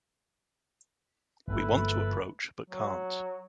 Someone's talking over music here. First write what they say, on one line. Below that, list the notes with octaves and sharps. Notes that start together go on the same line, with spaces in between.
We want to approach but can’t.
G1 F3 A#3 E4 A4 B4
F#3